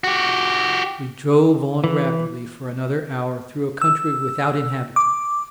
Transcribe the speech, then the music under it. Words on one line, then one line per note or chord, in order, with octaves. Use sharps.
We drove on rapidly for another hour through a country without inhabitants.
F#4 G4
E3
E6
D6